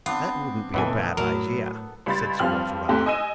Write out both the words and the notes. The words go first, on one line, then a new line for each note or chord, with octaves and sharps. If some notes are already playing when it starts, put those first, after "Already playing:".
"That wouldn't be a bad idea," said Sir Walter Raleigh.
B3 C4 D4 F4
C#2 A#2 E3 B3 A4 G#5
A2 F#3 A#4
C#2 G3 B5 C6 A6
G2 F3 C4 G4 F6 F#7
G#2 A3 C4 G4
D#5 G#5 E6 D#7